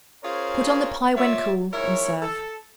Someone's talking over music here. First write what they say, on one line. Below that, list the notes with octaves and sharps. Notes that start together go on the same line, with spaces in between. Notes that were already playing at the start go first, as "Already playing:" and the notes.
Put on the pie when cool and serve.
C#4 F4 G#4 A#4 C5 C#5
F4 C#5 D5 E5
G#2 E4 A#4 C#5
A4